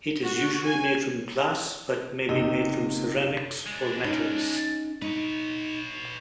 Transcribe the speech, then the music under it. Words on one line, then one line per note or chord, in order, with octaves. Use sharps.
It is usually made from glass, but may be made from ceramics or metals.
F#4
G#5
F#1 C3 D#4 D#5
G#3 D4
C#4 D#4
D#4 B4 C#5